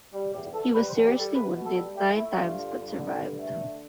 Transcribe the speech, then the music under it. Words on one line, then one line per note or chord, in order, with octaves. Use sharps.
He was seriously wounded nine times but survived.
G3
E2 G4
E2 A4
G3 B4
C5
E2
G4
G3 A4
E2 B4
B2
A4
G3
A3 G4
A3 E4
G2 F4
D3
G2
D3
G2
A3
D3